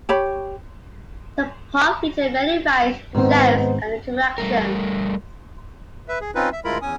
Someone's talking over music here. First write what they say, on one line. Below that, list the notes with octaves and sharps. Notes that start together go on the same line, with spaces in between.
The park featured many rides, shows, and attractions.
G4 C#5 B5
G#2 D#3 B3 C4
G3 A3 A#4
B4 E5
G#4
C4 C#4 D#4 F4 B4
E5
D2 G#3 E4 F4 A#4 B5
E2 C#4 G#5 D#6